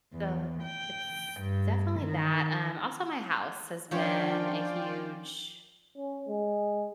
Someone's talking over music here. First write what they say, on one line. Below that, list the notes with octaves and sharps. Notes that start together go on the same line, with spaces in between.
So, it's definitely that, um, also my house has been a huge
E2
G5
G2
D#3
F3 C#4 D4 F4 C#5 D5 G5
C#4
G#3